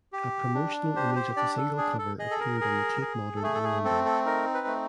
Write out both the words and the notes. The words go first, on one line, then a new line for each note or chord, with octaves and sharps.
A promotional image of the single cover appeared on the Tate Modern in London.
G4
D4
G4 C5
C5
D4 D5
A4
G#4
A4
G#4 D#5
A4
A#4
G#4
G#4
A4
A3 G#4
A4
G#4
C4 A4
A4
D#4 A#4
B4
A3